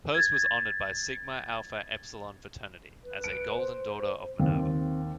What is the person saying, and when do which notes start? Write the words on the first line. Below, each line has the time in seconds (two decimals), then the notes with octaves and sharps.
Post was honored by Sigma Alpha Epsilon fraternity as a "Golden Daughter of Minerva".
0.14 G#6 A6
3.04 B4
3.24 D7
3.55 C5
4.39 D#2 C4
4.53 C4